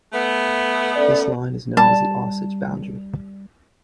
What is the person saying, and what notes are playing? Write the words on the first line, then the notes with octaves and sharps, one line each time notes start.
This line is known as the Osage Boundary.
A3 B3
C#4 A4 D5
G3 A5